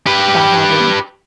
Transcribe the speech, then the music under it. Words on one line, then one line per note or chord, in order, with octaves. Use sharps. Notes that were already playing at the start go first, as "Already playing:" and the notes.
by having,
G4 B4